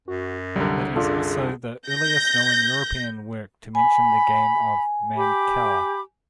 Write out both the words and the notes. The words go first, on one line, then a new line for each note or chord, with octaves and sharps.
It is also the earliest known European work to mention the game of Mancala.
F#2 F#4
C2 D3 F#3 G3 A#4
F#2 D4 F4 G#4 A4
G6 A#6
G#5 B5
G4 B5 D6